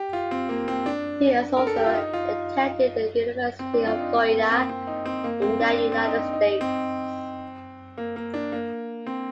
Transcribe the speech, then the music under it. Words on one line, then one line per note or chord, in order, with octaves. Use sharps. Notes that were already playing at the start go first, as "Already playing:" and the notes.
He also attended the University of Florida in the United States.
Already playing: G4
F4
C4
A#3
C4
D4
A#4
A4
G4
F4
D#4
F4
C4
D4
F4
D#4
C4
A#3
C4
C4
D#4
C4
A#3
C4
D4
C4
C4
D#4
D#4
C4
A#3
A#3
D4
A#3
C4